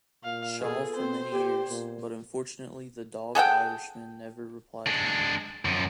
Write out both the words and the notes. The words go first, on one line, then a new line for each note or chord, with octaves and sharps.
Shaw for many years, but unfortunately the dogged Irishman never replied him.
A#2 F5
B3 F4 G#4 A4
C4 C5
G4 D5 G#6 E7
A#2
G#4 A4 F#5 G5
G#3 D4
F#2 F3